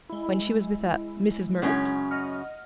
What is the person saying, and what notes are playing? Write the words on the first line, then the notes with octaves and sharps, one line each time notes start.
"When she was with a Mrs. Murrett?"
G#3 E4
F#2 C#3 C#4
D#5 F#5 F6